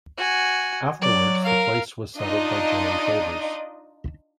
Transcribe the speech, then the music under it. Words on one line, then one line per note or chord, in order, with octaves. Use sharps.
Afterwards the place was settled by German traders.
F#4 G#5
F#3 D5
A#4 F5
D4 D#4 F4 D#5